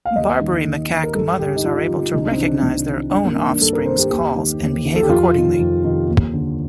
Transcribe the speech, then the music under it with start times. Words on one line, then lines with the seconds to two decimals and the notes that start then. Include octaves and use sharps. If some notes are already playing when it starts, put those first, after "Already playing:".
Barbary macaque mothers are able to recognize their own offspring's calls and behave accordingly.
0.05 F5
0.16 D#2 D#5
0.41 D#3
0.65 D#2
0.89 D#3
1.04 A#4
1.14 G2 A4
1.39 D3 G4
1.56 D#4
1.64 G2 F4
1.89 D3
2.14 C2 D#4
2.22 D4
2.31 C4
2.38 C3 D#3 D4
2.63 C2
2.87 C3 D#3
3.12 G2 D4
3.25 A#3
3.36 D#3 D4
3.49 D4
3.61 G2 A4
3.73 A#4
3.86 D#3 C5
3.98 G4
4.10 D#2 G4
4.36 D#3
4.60 D#2
4.85 D#3
4.96 A4
5.03 G4
5.09 F2 F4
5.34 C3 D#3
5.59 F2
5.84 C3 D#3
6.08 D#2
6.33 D3